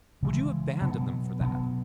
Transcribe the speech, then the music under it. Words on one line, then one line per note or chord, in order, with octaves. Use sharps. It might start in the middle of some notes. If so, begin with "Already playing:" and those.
Would you abandon them for that?
C#3 E3 G#3
B2 F#3 B3
B2 F#3 B3